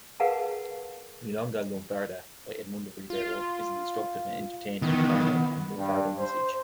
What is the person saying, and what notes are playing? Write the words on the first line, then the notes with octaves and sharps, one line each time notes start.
"Milonga Lunfarda" by Edmundo Rivero is an instructive and entertaining primer on lunfardo usage.
G#4 A#4 B4 F5 F#5 A5
F4
D#3 E3 B3
G2
C5